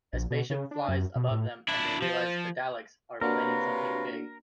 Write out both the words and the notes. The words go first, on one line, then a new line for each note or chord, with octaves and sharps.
A spaceship flies above them and they realise the Daleks are planning something big.
A#1
B2
C#3
D4
F#2
B2
A2
D4 E4
F3
C3 A#3 D4 F4 F#4 A#4 B4 C#5